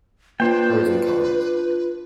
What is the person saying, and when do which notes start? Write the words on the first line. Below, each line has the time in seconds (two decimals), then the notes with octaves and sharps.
Pros and cons.
0.40 A#3 D4 F4 B4 C5 G5